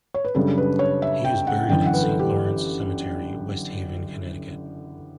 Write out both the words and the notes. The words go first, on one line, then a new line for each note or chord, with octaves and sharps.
He is buried at Saint Lawrence Cemetery, West Haven, Connecticut.
C#5
B4
F#2 C#3 G3 D4 A4
B4
C#5
E5
G5
F#5
G1 F#2 E3 G5
F#5
B4
A4
G4